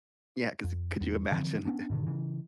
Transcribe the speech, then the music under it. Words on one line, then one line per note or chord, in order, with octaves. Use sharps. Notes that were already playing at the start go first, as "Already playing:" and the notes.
Yeah, 'cause could you imagine
F2
E2
D3 E3 F3 C4
B3 C#4 D4
G#2 B2 D3 D#3
C#3 E3